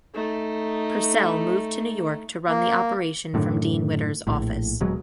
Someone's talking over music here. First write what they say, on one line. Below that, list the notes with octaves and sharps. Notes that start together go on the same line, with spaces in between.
Purcell moved to New York to run the operation from Dean Witter's office.
A3 D#4
A#3
F#2 A2 D3 D#3
A#1 A2
D#1 B2 F#3 G#3